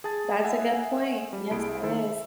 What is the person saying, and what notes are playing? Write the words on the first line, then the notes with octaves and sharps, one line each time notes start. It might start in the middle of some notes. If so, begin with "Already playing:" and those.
That's a good point. Yes, it is.
G#4 A5 A6
D#5 E5 F#5 G#5
G3
C2 E4 G#4 D7
D#3 E4 A4 C5
E5